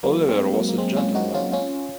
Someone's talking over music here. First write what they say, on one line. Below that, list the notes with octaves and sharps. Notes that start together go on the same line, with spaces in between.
Oliver was a gentleman.
F#3 A#3
G#3 C4
F#3 A#3
A#3
G#3 C4
C#4 F4
D#4 F#4
C#4 F4
C#4 F4